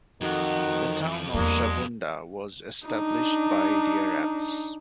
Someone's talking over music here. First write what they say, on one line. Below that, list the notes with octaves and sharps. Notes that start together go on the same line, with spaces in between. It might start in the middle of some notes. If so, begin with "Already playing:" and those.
The town of Shabunda was established by the Arabs.
F2 D#3 F#4 F#5
E2 G3 G#3 A#3 D4
D4 D#4